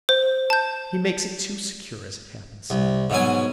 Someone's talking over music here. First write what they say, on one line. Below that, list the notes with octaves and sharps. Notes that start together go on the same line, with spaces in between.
He makes it too secure, as it happens.
C5
A5 G6
C2
G#2 B2 F#3 G#5